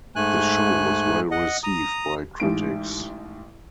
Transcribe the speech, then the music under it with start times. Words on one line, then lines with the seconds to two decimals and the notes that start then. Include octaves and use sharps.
The show was well received by critics.
0.16 G#2 A3 G#5 F#6
1.31 D#5 F#5
1.63 A#5 D#6
2.40 A1 G#2 D7